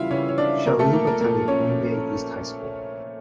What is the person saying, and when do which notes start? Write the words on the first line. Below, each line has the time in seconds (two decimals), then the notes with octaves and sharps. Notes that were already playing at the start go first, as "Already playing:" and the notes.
Shalhoub attended Green Bay East High School.
Already playing: C#3 E3 G3 E4 F4 E5 F5
0.11 C#3 E3 G3 C#4 C#5
0.29 C#5
0.38 D4 D5
0.66 A#2 F3 A#3 A#4
0.79 A3 A4
0.93 A#3 A#4
1.07 A#3 A#4
1.21 A#2 F3 A#3 A#4
1.48 C#4 C#5